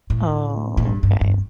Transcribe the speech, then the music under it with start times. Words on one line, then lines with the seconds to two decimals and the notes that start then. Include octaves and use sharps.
Oh, okay.
0.10 A2
0.77 A2
0.85 G2
1.03 G2
1.21 G2